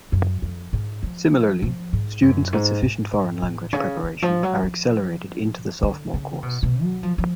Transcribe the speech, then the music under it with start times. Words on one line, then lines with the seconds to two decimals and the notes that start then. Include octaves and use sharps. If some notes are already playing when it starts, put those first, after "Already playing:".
Similarly, students with sufficient foreign language preparation are accelerated into the sophomore course.
0.12 F#2
0.42 F2
0.73 G#2
1.03 F3
1.62 F3
1.93 G#2
2.22 F#2
2.53 G#2
2.82 G#2
3.13 G#2
3.43 A2
3.73 C#3
4.03 D3
4.22 F3
4.43 F#3
4.63 F3
5.83 D3
6.14 C#3
6.43 B2
6.63 B2
6.83 F#3
7.03 F3
7.18 F3